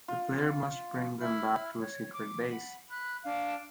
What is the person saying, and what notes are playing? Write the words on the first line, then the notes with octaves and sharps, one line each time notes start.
The player must bring them back to a secret base.
F4
E4 B5 F6
C#5
D6
F#5 B5
B5 F#6
D4 F5